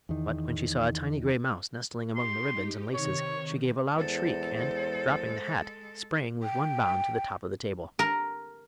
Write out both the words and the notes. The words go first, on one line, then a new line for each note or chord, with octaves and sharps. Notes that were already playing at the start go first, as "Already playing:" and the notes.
But when she saw a tiny gray mouse nestling among the ribbons and laces she gave a loud shriek, and, dropping the hat, sprang with one bound to the top of the table.
E2 D#3
D#4 G4 C6
C3 D#3 C#5
E2 G#3 A4 C5
G5
A#4